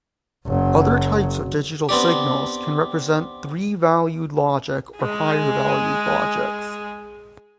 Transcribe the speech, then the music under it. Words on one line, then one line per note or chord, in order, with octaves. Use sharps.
Other types of digital signals can represent three-valued logic or higher valued logics.
F#1 F#3
B3 C4 D4 G4
G#3 G#4